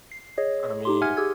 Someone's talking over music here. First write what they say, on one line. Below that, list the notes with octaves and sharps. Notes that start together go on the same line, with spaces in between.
I mean,
C7
G#4 C#5 D#5
D#4 G4 C6
E5 F#5 G#5 F6 G#6
G4 G#4 E6 G#6